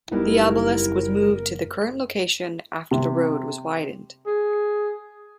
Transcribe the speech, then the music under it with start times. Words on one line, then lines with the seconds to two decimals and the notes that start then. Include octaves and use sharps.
The obelisk was moved to the current location after the road was widened.
0.11 F#1 G3 B3 D#4 E4 A#4
2.91 C3
4.26 G#4